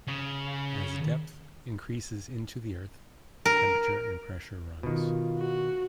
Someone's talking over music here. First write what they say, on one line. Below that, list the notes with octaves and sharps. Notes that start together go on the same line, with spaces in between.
As depth increases into the Earth, temperature and pressure rise.
C#3
A#4
B2 D#3 F4
F#4